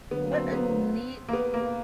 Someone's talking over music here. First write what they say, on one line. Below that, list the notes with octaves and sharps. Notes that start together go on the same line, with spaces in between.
What a neat
D3 F#3 A#3 B3
C4
B3
A#3
B3
A#3